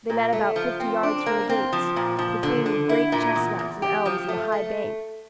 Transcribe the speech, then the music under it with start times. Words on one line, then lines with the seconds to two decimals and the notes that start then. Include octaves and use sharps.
They met about fifty yards from the gates, between the great chestnuts and elms and the high bank.
0.10 A#2
0.33 A3
0.56 F3
0.80 C4
1.03 D4
1.26 A#3
1.49 C4
1.73 F3
1.96 A#2
2.19 F3
2.43 D3
2.66 D3
2.89 E4
3.12 A#2
3.36 E2
3.59 E2
3.82 G4
4.06 F3
4.28 A3
4.52 A3